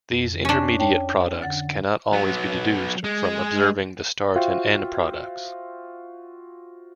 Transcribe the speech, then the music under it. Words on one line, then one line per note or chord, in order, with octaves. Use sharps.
These intermediate products cannot always be deduced from observing the start and end products.
F2
C#4 D4
C#5 G5 A5
D3 F#5 A6
F#3 B3
G#3
F4 F#4 C5 E5 F5 G5